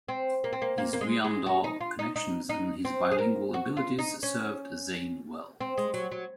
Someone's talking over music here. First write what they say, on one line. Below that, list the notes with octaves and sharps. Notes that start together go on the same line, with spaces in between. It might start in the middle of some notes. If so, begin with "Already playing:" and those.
His Wyandot connections and bilingual abilities served Zane well.
C4
A#3
C4
A#3
A#3
A#3
G#3
G#3
F#4
D#4
F4
D#4
D#4
D#4
C4
G#4
A#4
F#4
F4
D#4
C#4
C4
G#3
F#3
F#3